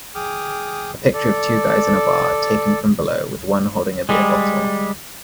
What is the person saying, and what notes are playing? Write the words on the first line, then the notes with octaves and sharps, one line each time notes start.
A picture of two guys in a bar taken from below with one holding a beer bottle.
G#4 G5 D6 D#6 F6
A4 D5
G3 G#3